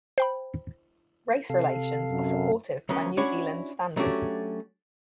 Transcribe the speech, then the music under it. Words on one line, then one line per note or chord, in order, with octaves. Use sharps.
Race relations are supportive by New Zealand standards.
C5 G5 B5
C3 A4 F5
F#2
D2 F#3 B3 C#4 A#4
C#4 D4 E4 F#4 C#5 F#5
F#3 A3 C#4 D4 F#4 G4